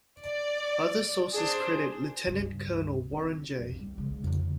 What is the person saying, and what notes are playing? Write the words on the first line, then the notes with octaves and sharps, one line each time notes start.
Other sources credit Lieutenant Colonel Warren J.
D5
D4 G#4 C5
C#2 G2
C4
F2 E3
G3 A#3
C#3 G#3
F2 D3